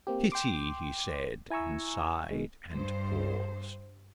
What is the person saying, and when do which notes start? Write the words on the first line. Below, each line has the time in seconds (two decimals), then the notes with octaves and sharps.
"Pity!" he said, and sighed and paused.
0.07 A#3 C4 G4
0.32 G5 C6 D6
1.50 E4 G#5 A#5 C#6 E6
2.31 B2 D#3 G#3
2.73 G2 C5